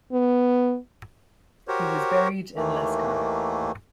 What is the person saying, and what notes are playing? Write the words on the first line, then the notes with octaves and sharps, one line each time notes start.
He was buried in Lescar.
B3
F#4 G4 A#4 C5 C#5
D#2 D#3 E3 A3 A#3